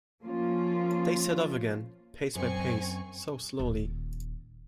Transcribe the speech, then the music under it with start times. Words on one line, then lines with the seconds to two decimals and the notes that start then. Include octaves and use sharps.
They set off again, pace by pace, so slowly.
0.23 F3 A#3 C#4 F4
2.35 F#2 C4 G#5 C#6
3.59 D#1